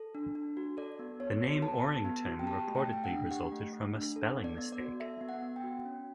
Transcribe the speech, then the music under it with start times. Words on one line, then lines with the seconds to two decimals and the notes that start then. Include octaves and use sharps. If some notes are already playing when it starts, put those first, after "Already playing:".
The name "Orrington" reportedly resulted from a spelling mistake.
Already playing: A4
0.15 D4
0.35 D4
0.57 F#4
0.77 A4 D5
0.99 B3
1.20 B3 C#5
1.42 F#4
1.62 A4 A5
1.83 B3
2.05 B3
2.26 F#4
2.39 G5
2.47 G4 A5
2.68 A3
2.75 G5
2.89 A3 G5
3.04 F#5
3.10 D4
3.31 G4 F#5
3.52 A3
3.73 A3
3.95 D4
4.16 A4
4.37 B3
4.44 D5
4.58 B3
4.73 D5
4.79 F#4
5.00 A4 E5
5.21 B3
5.29 F#5
5.42 B3
5.56 G5
5.64 F#4
5.85 C#4